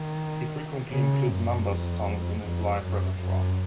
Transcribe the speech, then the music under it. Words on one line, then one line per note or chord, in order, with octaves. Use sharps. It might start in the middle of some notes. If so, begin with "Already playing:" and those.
He frequently includes Mambas songs in his live repertoire.
Already playing: D#3
C#3
F#2
F2
F2
F#2
F#2